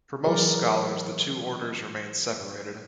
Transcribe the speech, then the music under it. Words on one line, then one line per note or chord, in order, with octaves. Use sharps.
For most scholars, the two orders remain separated.
E3 F#3 F#4 G#4 A#4 D5